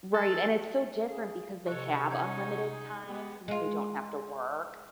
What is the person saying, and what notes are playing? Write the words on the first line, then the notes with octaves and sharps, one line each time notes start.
Right, and it's so different because they have unlimited time since they don't have to work,
A4
G#4 F5
C3 A4 C#5 D#5 C#6 F#6
C#4 D#4 F#5 A#5 G6 G#6
G#4
G#3 B3 G4 G#4
G#3 F4